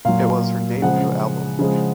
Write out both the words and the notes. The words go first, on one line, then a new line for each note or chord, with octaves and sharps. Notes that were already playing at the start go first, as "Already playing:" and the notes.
It was her debut album.
A#2 F#3 F5
C#3 F3 G#3 F#5
C#3 F3 G#3